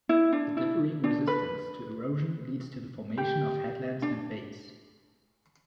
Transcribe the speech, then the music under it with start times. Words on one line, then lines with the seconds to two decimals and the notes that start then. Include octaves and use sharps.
The differing resistance to erosion leads to the formation of headlands and bays.
0.09 E4
0.33 D4
0.57 E4
1.04 D4
1.27 B4
3.18 G4
4.02 D4